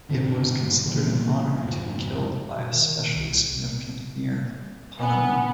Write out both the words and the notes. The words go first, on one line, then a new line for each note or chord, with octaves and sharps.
It was considered an honour to be killed by a specially significant mere pounamu.
G2 D3 C4
A#2 E3 A#3 B3
F2 G#2 B2 F3
B2
D#3
C2
B3 G#5